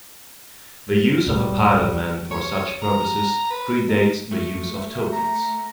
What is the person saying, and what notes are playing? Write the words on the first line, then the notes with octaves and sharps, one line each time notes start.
The use of a pilotman for such purposes pre-dates the use of tokens.
D1 A#2 G3 A3
C#5
A#5
B4
D#4
A3
A#5